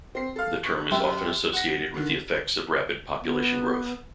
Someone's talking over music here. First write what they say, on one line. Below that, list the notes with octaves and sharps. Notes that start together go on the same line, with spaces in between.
The term is often associated with the effects of rapid population growth.
C4 C7
A4 F5
C#6 F#6
F#2 G4 E5
F#5 A#6
D3 D#3
B3